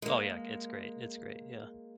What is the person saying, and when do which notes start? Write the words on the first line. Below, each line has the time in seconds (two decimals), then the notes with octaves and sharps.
Oh, yeah, it's great, it's great, yeah.
0.02 G#3 A#3